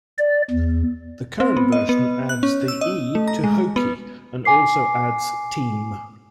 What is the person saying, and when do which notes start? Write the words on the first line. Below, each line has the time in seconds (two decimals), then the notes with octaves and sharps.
The current version adds the 'e' to Hokie and also adds Team!
0.18 D5
0.51 E2
1.40 C4
1.57 B3
1.72 D#5
1.89 B3
2.29 F#6
2.43 C#4
2.68 E6
2.81 D#5
3.15 A3
3.28 A#5
3.44 G#3
3.76 B3
4.45 G#5 D6 C7